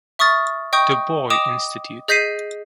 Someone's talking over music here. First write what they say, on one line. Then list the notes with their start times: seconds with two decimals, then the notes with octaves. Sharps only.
Du Bois Institute.
0.19 E5 C#6 D#6 F6 A6
0.73 D#5 G5 C#6 D#6 G6
1.30 D#5 G5 D6 D#6 E7 F7
2.08 G#4 D#5 G6 B6 C7 D#7